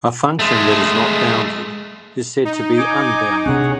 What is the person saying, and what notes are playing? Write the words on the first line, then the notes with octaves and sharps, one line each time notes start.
A function that is "not" bounded is said to be unbounded.
G#3 A3
D#4
D#5 G#5 D6
C3 C4 D4 G#4 C#5 F#5